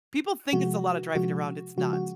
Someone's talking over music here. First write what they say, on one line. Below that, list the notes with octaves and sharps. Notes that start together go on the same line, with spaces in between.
People think it's a lotta driving around, it's not.
C3 F3 G#3 F#4
C3 F3 G#3 F#4
C#3 F3 G#3 F#4
F#4